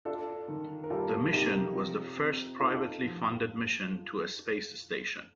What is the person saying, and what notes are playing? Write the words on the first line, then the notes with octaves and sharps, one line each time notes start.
The mission was the first privately funded mission to a space station.
D4 F4 A4
D#3
A#4
G3 F4 A4
C3 D#4 G4
F3
C4
D#4 F4 A4
F3